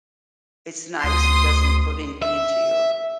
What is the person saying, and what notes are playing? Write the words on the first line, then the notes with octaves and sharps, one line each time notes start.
it's nice, it doesn't put anything into your
D2 C6 D#6
E5